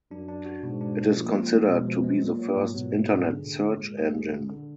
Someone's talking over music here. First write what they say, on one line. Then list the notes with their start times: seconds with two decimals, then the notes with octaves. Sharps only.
It is considered to be the first Internet search engine.
0.11 F#2 D4
0.28 D4
0.46 F#4
0.63 G#2 B2
0.81 D4
0.99 B2
1.16 A#2 F3
1.34 G#3
1.52 G#3
1.69 B2 G#3
1.87 F3
2.04 G#3
2.22 A#2 F#3
2.39 F#3
2.57 G#2
2.74 B2 F#3
2.92 G#2
3.10 D4
3.26 D3 G#4
3.45 A#2
3.62 A#2
3.80 G#3
3.97 G#4
4.15 A#2
4.33 D3
4.50 D3